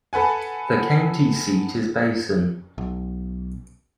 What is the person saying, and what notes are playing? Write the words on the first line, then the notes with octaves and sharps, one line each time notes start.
The county seat is Basin.
A4 B4 F#5 G#5
B1